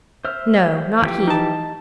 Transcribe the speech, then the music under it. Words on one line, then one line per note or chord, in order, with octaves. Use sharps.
No, not he.
C5 E5 F6
E3 F3 G4
D#4 A5